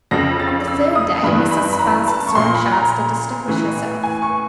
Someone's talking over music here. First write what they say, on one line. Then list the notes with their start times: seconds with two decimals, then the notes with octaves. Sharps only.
On the third day Mrs. Sparsit saw a chance to distinguish herself.
0.11 F2 C#3 F3 A#6
0.40 A6
0.67 E6
0.95 D#6
1.23 G2 E3 B5
1.51 B5
1.73 B5
1.79 A#5
2.08 A5
2.27 C#6
2.35 A#2 F3 C6
2.55 B5
2.72 A#5
3.48 A2 E3
4.03 G#5
4.22 C#6